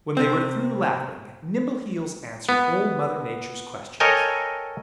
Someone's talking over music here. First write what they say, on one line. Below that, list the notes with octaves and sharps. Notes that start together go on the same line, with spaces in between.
When they were through laughing Nimbleheels answered Old Mother Nature's questions.
C3 C4
B3
A4 A#4 C#5 D#5 G5 G#5